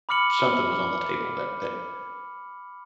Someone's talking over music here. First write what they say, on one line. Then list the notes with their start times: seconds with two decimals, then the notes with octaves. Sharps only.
something was on the table that that
0.09 B5 D6 F6 C#7 F#7